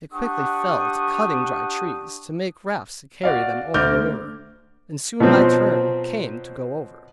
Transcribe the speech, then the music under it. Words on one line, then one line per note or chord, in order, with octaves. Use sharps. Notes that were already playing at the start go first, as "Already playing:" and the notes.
They quickly fell to cutting dry trees, to make rafts to carry them over the river: and soon my turn came to go over.
D4 G4 F#5 C#6 D#6
F#4 D5 F5
D2 D6 F6 G6
B2 F3 F#3 C4